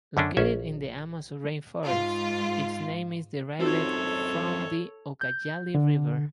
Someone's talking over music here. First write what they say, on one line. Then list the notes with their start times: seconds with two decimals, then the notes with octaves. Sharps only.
Located in the Amazon rainforest, its name is derived from the Ucayali River.
0.17 F#2 D3 C#4 D4
0.37 A#1 C#4 F4 E5
1.86 G#2 F4
3.60 F#2 C4 D#4 F4 F#4 A4 C#5
5.21 G6
5.75 D3